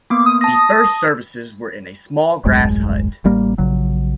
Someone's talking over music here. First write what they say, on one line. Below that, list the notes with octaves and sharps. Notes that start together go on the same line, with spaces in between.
The first services were in a small grass hut.
A#3 B3 D6
D#6
A5 D#6 A#6
D#1 A1 F#2 G#3
A1 G3 A#3
A#1 C#3 F#3